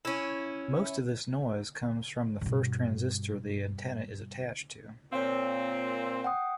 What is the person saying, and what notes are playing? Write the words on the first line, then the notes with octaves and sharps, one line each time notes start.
Most of this noise comes from the first transistor the antenna is attached to.
C#4 E4
G2 B2
A#2 C4 C#5 F5
F#5 G5 D#6